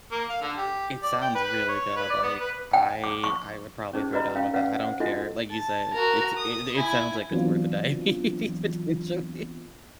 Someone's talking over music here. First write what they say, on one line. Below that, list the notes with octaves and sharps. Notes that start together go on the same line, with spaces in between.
It sounds really good, like, I I would probably throw down with that, I don't care, like you said, it's it it sounds like it's worth a diabetes, potentially.
A#3
F5
D3
G4
D5
G5
B4
C#5
B4
D5
B3
B4
G5
D6
C#6
C#4 D#4 G#4 C5
F#4 B4 D5 D#5 A#5 B5
C#4 F5 G5
C#4 B4 D5 F5 F#5
C5 F#5
D4 D#4 F4 F#4 A4 D#5
A5
F#4 A#4
D#6
E4 G#5
E3 F#3 B3 C4 D4 F4